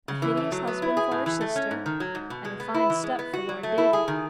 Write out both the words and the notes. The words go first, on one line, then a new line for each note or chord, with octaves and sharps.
A hideous husband for her sister, and a fine step for Lord David.
C#3
E3
A3
F#3
B3
E4
G#4
A2
E3
A3
C#4
G#2
D#3
F#3
G#2
B2
G#3
B3
E4
E3
G#3
B3
F#4
F#3
A3
E4
G#4
D#3